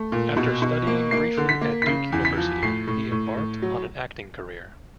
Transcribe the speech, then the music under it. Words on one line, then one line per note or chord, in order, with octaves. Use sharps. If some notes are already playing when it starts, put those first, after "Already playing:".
After studying briefly at Duke University, he embarked on an acting career.
Already playing: A3
A#2
B2
B2
A#3
A#3 C7
D3
B6
A#3
B6
C#3 C7
E2
B6
F3
A2 C7
A2
A2
A2
F#3